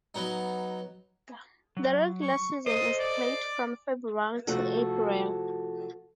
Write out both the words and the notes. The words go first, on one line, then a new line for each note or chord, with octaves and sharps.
The regular season is played from February to April.
F#3 B3 D#4
F#3
C#6
A4 C5 D#5 D#6
D5
C3 F3 A3 F#4 A4